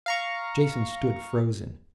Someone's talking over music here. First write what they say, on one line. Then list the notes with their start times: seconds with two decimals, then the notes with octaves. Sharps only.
Jason stood, frozen.
0.06 F5 A#5 C#6